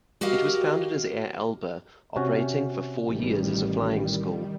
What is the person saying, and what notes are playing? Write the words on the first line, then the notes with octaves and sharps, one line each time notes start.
It was founded as Air Alba, operating for four years as a flying school.
F#4 G4 A#4 D#5 F5
C3 C#4 F#4
A1 D#3 G3